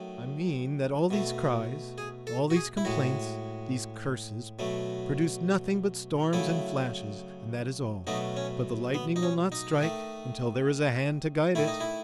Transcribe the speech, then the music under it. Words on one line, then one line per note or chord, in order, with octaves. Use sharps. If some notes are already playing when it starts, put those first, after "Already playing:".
"I mean that all these cries, all these complaints, these curses, produce nothing but storms and flashes and that is all; but the lightning will not strike until there is a hand to guide it."
Already playing: D#3 F#3 A3
B2 A3
G#4
A4
F#4
G#4
E4
A2 G#3 F#4
B2 F#3 A3
C#3 F#3 A3 E4
B2 F#3 A3 D#4
C#4
B3
D#4
C#4
D#4
D#3 A3
D#3 A3 E4
D#4
E4